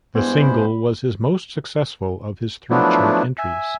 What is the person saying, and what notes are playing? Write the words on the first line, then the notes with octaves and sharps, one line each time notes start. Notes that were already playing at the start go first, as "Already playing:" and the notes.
The single was his most successful of his three chart entries.
G2 G#3 B3 E4 C5 G#6
B5
F3 F#3 A3 B3 D4 E4
E5 G#5